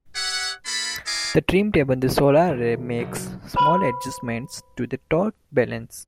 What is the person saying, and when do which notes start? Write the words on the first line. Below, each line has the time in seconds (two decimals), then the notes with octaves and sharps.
The trim tab on the solar array makes small adjustments to the torque balance.
0.15 G4 C#5 E5 F#5
0.65 A#3 D4 F4 A4 B5
1.06 E4 A4 D#5 F5 G#5 D6
2.49 D#1
3.00 F#1 B1 F#3
3.56 B4 C5 B5